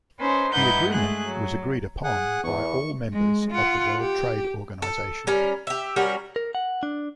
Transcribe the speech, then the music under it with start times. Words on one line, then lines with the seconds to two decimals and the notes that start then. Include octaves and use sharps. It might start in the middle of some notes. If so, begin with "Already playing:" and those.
The agreement was agreed upon by all members of the World Trade Organization.
0.18 C#4 D#4 B4 C5
0.53 G2 D#4 E4 B4 F#5 G6
0.90 G#3 A3 G#4 F#6
1.26 F#3
2.04 G#4 F#5
2.44 E2 C#6
3.13 G#3
3.51 F4 F#5
4.01 G4
4.82 A4
5.27 G3 C#4 A#4
5.67 G4 E5
5.96 G3 C#4 F#4 A#4
6.36 A#4
6.55 F#5
6.83 D4